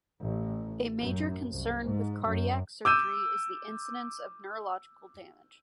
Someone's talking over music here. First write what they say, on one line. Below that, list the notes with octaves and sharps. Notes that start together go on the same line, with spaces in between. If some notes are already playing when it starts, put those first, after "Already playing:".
A major concern with cardiac surgery is the incidence of neurological damage.
A1
F#2
C2
G#2
F#2
D6 E6 G6 D#7